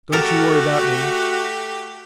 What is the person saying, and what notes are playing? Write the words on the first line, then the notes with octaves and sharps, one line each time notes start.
Don't you worry about me.
A3 F#4 G4 A4 A#4